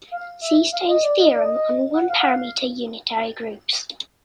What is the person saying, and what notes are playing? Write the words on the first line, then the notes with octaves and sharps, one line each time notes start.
See Stone's theorem on one-parameter unitary groups.
F5
E5
F5
D#5
D5
D#5
D5
D#5
D#5
F#5
F5
F#5
F5